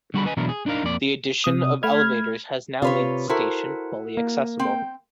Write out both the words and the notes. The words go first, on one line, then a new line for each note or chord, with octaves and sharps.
The addition of elevators has now made the station fully accessible.
D3 G3 F#4 G#4 A5 B5
B4 D#5 G#5
B2 E3 F#3 D4 E4 A#4
G#4
D4 D#4 A#4 F5
F2 A#3 D5
C3 D#6
A3 B5 F6 G#6
C3 F4 B4 C#5
E4 F#4 A4 A#4 C5
A#3
C4 G5